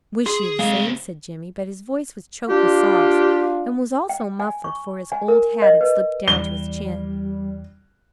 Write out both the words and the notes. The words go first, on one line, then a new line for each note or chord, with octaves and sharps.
"Wish you the same," said Jimmy, but his voice was choked with sobs, and was also muffled, for his old hat had slipped down to his chin.
G#4 C6
C3 G#3 F5
D4 F4 G4
G5
G#5
C#6
G#5
A#4
D#5
B4
E2 G3 G7